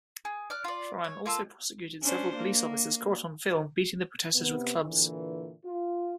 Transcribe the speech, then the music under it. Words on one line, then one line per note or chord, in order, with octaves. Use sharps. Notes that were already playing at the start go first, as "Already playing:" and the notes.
Foran also prosecuted several police officers caught on film beating the protestors with clubs.
G#4
D5 F6 F#6
F4 D5
C#5
A#3 F4 A4
C#4 D4 C5
A#3
C3 B3
A#2 D3 E3
F4